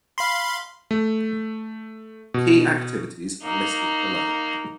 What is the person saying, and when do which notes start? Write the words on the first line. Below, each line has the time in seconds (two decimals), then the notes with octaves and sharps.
Key activities are listed below.
0.18 F5 B5 C6
0.91 A3
2.34 B2
3.43 A#3 D#4